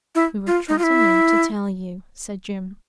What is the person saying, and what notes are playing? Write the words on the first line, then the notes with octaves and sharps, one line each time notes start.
"We were trotting in to tell you," said Jim.
E4
F4
D#4
F4
E4